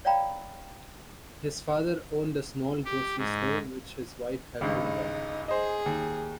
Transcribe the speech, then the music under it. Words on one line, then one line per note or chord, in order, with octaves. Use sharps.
His father owned a small grocery store, which his wife helped him run.
C#5 D5 F5 G5 A#5 B5
G4
G#2
G#1 C#2 G2 D#4
G#4 C5 D#5
D#2